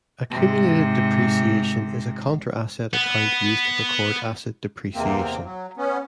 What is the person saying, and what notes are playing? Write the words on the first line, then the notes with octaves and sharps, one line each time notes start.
"Accumulated depreciation" is a contra-asset account used to record asset depreciation.
G#2 C3
B3
E2 C3 A#3 C4
F#3
B3 C#4